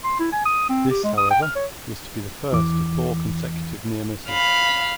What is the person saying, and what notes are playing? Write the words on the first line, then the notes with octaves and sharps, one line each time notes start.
This, however, was to be the first of four consecutive near-misses.
C6
E4
G#5
D#6
C4
G4
G#3
D#6
G5
F6
C#5
E2 E3 D6
F5 B5